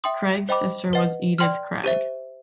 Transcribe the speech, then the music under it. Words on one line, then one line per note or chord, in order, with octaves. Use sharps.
Craig's sister was Edith Craig.
E5 G5 C6 D#6
C5 D#5 G5 B5 D6
B4 D#5 F#5
D5 G5 C6 F6
G4 C5 E5